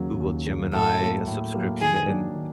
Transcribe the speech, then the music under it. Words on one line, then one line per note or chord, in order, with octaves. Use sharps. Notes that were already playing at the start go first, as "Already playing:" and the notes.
Google Gemini subscription, and
Already playing: D#2 C#3 F#3 A#3
D#2
C#3 F#3 A#3
A2 A4
F#3 A#3
A2
F#3 A#3
D#3 G#4
F#3 A#3 D4
D#3